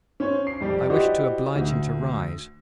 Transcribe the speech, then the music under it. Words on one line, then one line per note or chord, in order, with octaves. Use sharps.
I wished to oblige him to rise.
C#4 C5 C#5
C7
F2 G3 G4 D5
E4 F#4 G4 C5 D5 D#5
D2